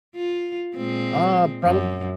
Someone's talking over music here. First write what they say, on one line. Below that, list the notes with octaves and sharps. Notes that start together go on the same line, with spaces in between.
Uh, probab
F4
A#2 G#3 C4
F#2